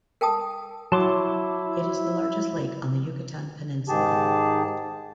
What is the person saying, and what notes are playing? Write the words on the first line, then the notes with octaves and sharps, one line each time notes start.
It is the largest lake on the Yucatan Peninsula.
A#4 G5 A5 D#6
F#3 E4 A5 C6 D6
G#2 D#3 G4 G#4 A5